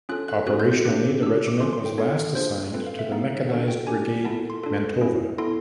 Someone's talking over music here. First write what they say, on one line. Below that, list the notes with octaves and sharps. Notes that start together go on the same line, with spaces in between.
Operationally the regiment was last assigned to the Mechanized Brigade "Mantova".
C#4 F4 A4 F#6
F#6
C#4 F#4 A4 F#6
G6
G6
A#3 D4 G4 F#6
D4 G4 E6
D6
C#4 F4 A4 C6
C6
G5
B3 D4 F4 A4 C#5
A#3 D4 F4 G#4 C5
C4 F4 A4 B4
F5
E5
B3 D#4 G#4 F5
A#3 D4 F#4 A4 F#5
G5
D4 G4 G#5
B3 E4 A4 A5
C6
D4 F4 A4
A#3 C#4 E4
B3 E4 A4 C6